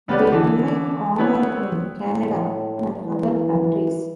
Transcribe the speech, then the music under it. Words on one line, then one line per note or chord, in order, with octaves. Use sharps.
They remain common in Canada and other countries.
C#2 B3 C#4 G4 B4 D5
D3 E3
B3 C4 E4 B4 C#5
A2
E3